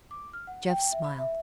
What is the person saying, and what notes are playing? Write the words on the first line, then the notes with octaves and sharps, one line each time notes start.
Jeff smiled.
D6
F6
F#5
G5
E5
B5
E5